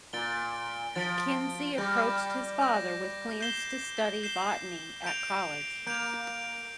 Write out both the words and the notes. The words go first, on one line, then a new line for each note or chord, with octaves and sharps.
Kinsey approached his father with plans to study botany at college.
A#2 A6 D7 G7
F3 A6 D7 G7
G3 D6 G6 A#6
D6 G6 A#6
G6 C7 E7 G7
G6 C7 E7 G7
G6 D7 F7
A#3 G6 D7 F7